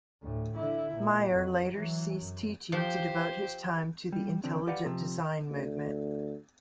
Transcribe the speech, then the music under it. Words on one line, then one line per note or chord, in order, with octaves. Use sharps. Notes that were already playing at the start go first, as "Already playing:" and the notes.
Meyer later ceased teaching to devote his time to the intelligent design movement.
D2 A2
D3 E4
A#2
F2
E3 F#3
F#2
F3 G4 C5
G3
D3 F3 C4 D4
G4 B4 D5 F5 F#5
C3 F3
D2